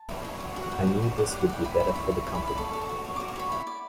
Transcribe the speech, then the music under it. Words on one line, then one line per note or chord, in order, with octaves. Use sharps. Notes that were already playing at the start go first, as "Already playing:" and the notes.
I knew this would be better for the company.
Already playing: A5
E4
C#5
F#4
F#4
F#5
F#4 G5
F#4
F#4
G4 F#5
F#5
D5
F#5
D5 G5
E4 B5
E4
C#6
E4
E4 C#6
E4
B5
D5
B5
A4 C#6
A4
C#6
F#4
C#5
F#4 D6
C#6
C#5 B5
E4 B5
D5